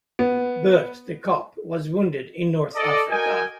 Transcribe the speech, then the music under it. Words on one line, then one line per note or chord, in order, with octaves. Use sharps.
Bert the cop was wounded in North Africa.
B3
A4 D5 D#5
F#4 A#4 D#5 G5 G#5